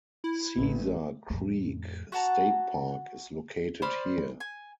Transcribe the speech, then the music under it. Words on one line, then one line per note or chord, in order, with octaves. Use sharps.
Caesar Creek State Park is located here.
E4
A1
F2 A2
F#4 F#5 A5 A#5
C5 D5 B5 F6
G#5